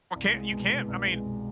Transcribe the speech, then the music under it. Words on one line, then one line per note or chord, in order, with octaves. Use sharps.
Well, can't you can't, I mean,
C2
G#3
B2
C2
C2
G#3
B2